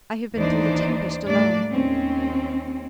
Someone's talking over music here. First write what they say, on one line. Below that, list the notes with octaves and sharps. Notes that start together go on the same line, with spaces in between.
I have been through the tempest alone.
D#2 E3 D4 D#4 C5 D5
A2 G3 A3 A#3 D4 D5
D#2 C4 C#4